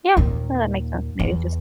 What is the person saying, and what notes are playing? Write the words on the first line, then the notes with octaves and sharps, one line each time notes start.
Yeah. No, that makes sense maybe just
D#2 A#2
E2